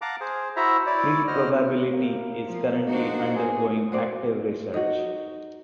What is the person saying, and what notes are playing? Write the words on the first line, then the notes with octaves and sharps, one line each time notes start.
Free probability is currently undergoing active research.
F5 F#5 A5 A#5 D6
G#4 C5
E4 F#4 C5 E5 A#5
E4 C#5 D5
F#4 C5 D#5 F6
A#3
F3
D4 D#4 F#4 C5
G#4
F#4 C5 D5
D#4 F#4